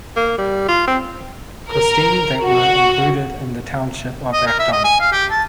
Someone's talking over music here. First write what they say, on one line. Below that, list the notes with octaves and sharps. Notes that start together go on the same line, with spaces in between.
Christine that were included in the township of Acton.
A#3
G3
F4
C4
A#4
F#4
D#5
A#4
E5
D#5
G#5
F5
G4
A5